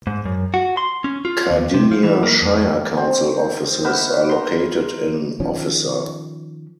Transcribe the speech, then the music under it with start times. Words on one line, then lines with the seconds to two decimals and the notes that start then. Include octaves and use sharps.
Cardinia Shire Council Offices are located in Officer.
0.07 G#2
0.25 F#2
0.54 F#4
0.77 C6
1.04 C#4
1.25 F4
1.50 D#2
1.74 C3
1.91 F3
2.03 E3
2.23 A#3
2.42 F2
2.97 C4
3.84 B3 D#4 A#4 E5
4.29 A#5 C6
5.40 D#3 F3 C#4